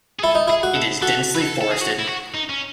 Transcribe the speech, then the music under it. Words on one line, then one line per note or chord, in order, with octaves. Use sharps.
It is densely forested.
G#4
E4 A4
D#4
E4 G#4
F#4
A4
F#4 A4
B4
A4
A4
G#4
F#4
E4
F#4
D#4
C#4